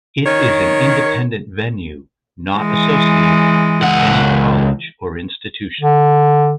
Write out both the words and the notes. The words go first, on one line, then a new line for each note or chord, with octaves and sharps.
It is an independent venue not associated with any college or institution.
D#3 C#5
E3 G#3
C#2 F#5
D3